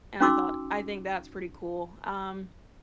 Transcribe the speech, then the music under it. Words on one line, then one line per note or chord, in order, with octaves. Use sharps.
and I thought, "I think that's pretty cool." Um,
C#4 D#4 F#4 C6 D6 E6